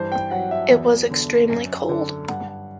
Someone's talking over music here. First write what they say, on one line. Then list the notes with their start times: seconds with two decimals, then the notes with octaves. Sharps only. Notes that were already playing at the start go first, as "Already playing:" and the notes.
It was extremely cold.
Already playing: G2 E3 C5
0.12 G5
0.31 F#3 F#5
0.51 E5
0.71 E2
1.11 D3
1.50 F#2
1.89 D3
2.28 G2 F#5
2.48 F#5